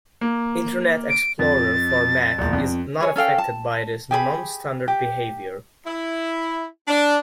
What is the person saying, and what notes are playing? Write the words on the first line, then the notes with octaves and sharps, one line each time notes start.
Internet Explorer for Mac is not affected by this non-standard behavior.
A#3
D7
F2 A6
E1 A#1
F2
G#4 C#5
C#4 A4 F5 G5
A5
G4 G#4 G#5 B5
G4
E4
D4